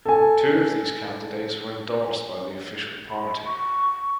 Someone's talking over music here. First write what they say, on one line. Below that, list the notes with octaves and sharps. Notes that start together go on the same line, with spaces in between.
Two of these candidates were endorsed by the official party.
A4 G#5
B5
C#6